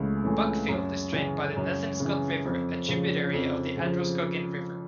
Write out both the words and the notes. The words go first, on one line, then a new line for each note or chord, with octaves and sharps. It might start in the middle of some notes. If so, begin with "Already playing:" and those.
Buckfield is drained by the Nezinscot River, a tributary of the Androscoggin River.
Already playing: C#2 C#3 E3 A3
C#3 E3 A3
F#2
C#3 E3
F#2
C#3 E3
F2
C#3 F3
F2
C#3 F3